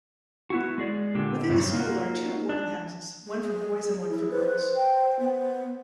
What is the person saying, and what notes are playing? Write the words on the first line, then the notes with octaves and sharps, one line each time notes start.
Within the school are two boarding houses, one for boys and one for girls.
B3 E4 F#4
G#3 G#4 D5
A#2 D3 G4
G2 C3 F#3 G3 C4 C#4
A#3 D#4 F4 F#4
D4
G#4
E4 G#4
B4 C5
G5
B3